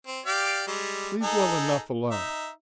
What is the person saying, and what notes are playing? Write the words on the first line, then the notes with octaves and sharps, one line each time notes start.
Leave well enough alone.
C4
G4 D5 F5
G3 G#3
D#4 G#4 A4
D#4 E5